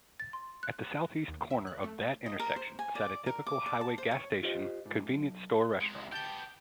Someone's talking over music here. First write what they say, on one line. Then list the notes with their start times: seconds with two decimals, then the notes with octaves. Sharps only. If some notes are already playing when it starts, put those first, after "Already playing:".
At the southeast corner of that intersection sat a typical highway gas station-convenience store-restaurant.
0.20 A6
0.33 C6
0.63 F#6
1.28 D#2
1.50 E5
1.67 F#6
1.84 A3
2.26 D#5
2.39 A#4
2.56 C5
2.79 G#5
2.95 D5
3.26 A#4
3.47 D6
3.66 D5
3.81 A5
3.98 C5
4.11 C#5
4.43 F4 G4 C5 D#5
4.85 G#2
5.08 B1
5.81 C3 G#3
6.12 B3 G4 G5 A5 G6